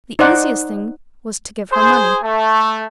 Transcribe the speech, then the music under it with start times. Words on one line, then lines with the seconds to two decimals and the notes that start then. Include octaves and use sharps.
The easiest thing was to give her money.
0.19 D#4 C5 D5 F#5
1.72 G#4 C5
2.23 A3